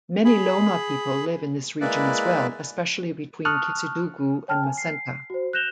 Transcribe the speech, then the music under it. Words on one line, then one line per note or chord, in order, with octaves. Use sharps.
Many Loma people live in this region as well, especially between Kissidougou and Macenta.
G#4 B5
G#3 A#3 E4 B4 D5
A5 C#6 D#6 F6 F#6
C#5 G5 A5 F6
G#5
C7
F#4 C5
F#6 G6 A#6 E7 F7 G7